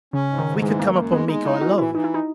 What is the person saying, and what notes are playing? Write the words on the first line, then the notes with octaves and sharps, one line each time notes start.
If we could come upon Miko alone!
C#3 C#4
G#2
D#3
G#2
E3 G#3
F#2 A#3
F#2 A#3
G#3 B3
G#3 D#4
D#4 E4
E3 F#4
E3 E4
E3 D#4
E4
D#4